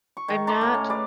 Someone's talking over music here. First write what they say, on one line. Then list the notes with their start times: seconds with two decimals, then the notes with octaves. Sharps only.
I'm not
0.17 C#6
0.28 D#3
0.47 A5 A#5 C6 D6
0.61 A2 A#5
0.74 C#4
0.89 G#4 B4 D5